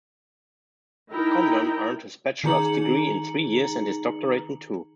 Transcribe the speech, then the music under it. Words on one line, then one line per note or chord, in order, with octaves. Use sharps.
Condon earned his bachelor's degree in three years and his doctorate in two.
D#4 E4 A#4 G5 A#5
D#3 D#4 G#4 A#5 C#7 F#7